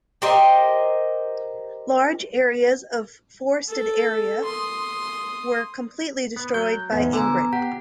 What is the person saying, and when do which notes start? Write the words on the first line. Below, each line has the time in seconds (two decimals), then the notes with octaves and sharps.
Large areas of forested area were completely destroyed by Ingrid.
0.22 G4 A#4 C5 D#5
3.69 A4
4.44 C6 D#6
6.36 B3
6.54 F#3 G6
6.92 E2 G#2 B3 E5
7.13 D3 F3 G#5 A#5
7.53 G4 F#5